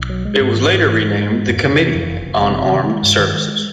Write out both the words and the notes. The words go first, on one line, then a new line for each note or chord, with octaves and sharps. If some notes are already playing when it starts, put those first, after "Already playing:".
It was later renamed the Committee on Armed Services.
Already playing: B1
F#3
G#3
G#2
E3
G#2
E3
G#2
G#3
G#2
F2
C3
E3
F2
F#1
F#1
C3
C3
D#3
G#3
G2
D#3
G#3